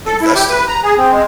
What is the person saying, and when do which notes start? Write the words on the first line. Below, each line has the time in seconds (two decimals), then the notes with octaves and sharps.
Invest it.
0.06 A4
0.22 E4
0.35 G4
0.49 B4
0.68 A#5
0.84 G#4
0.98 C4
1.12 G#3